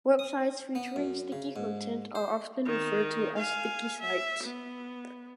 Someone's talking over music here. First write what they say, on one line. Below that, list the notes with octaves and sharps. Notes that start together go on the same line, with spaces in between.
Websites featuring sticky content are often referred to as sticky sites.
D#6
B3
F#2
C#3
G#2
C5
D#3
F5 G#5
E5
B3